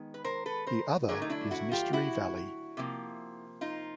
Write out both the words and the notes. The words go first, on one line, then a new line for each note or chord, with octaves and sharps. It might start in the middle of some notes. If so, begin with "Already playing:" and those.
The other is Mystery Valley.
Already playing: D#3 G#3 B3
B4
A#4 C5
A4 B4
A#4 C5
D3 F#3 A3 G#4 A#4
D#4
D4 E4
E4 F#4
F4 G4
E4 F#4
C3 F3 A#3
D#4 F4